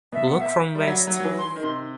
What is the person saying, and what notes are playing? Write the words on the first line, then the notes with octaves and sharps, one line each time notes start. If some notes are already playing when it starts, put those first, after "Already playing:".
Block from west.
B2 E5
F#5
E5
G3 E5
F#3 F#5
F#3
F#5
F#3
E3
C6
D#3
C3 C6